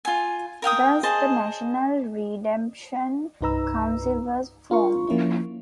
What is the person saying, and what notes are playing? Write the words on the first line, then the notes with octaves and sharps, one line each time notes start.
Thus the National Redemption Council was formed.
F4 G#5
A#4 F5 G5 D#6
G#4 C5 D#5 A5
C2 G2 D#4 B4 A#5 E6
D4 F4 A#4 C#6
F3 A#3 C#4 E4